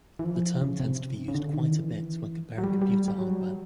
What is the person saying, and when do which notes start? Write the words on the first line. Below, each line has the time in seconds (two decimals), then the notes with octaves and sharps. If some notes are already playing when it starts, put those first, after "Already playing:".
The term tends to be used quite a bit when comparing computer hardware.
0.19 E3
0.25 F3
0.61 C#3
0.80 C3
1.28 C#3
1.35 D3
1.53 D#3
1.72 E3
2.58 F#3
2.64 G3
2.82 G3
3.08 G3
3.18 F#3